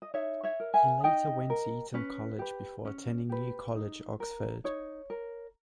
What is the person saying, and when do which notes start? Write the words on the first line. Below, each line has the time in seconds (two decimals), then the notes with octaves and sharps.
He later went to Eton College before attending New College, Oxford.
0.02 D#5
0.14 D#4 C#5 E5
0.43 C#5 E5
0.60 A#4
0.74 E5 G#5
1.04 D#4 D#5 G5
1.50 A#4
1.94 C#4 B4
2.39 G4 B4
2.85 C#4
3.29 G4 B4
3.75 D#4
4.20 A#4
4.64 D#4 C#5
5.10 A#4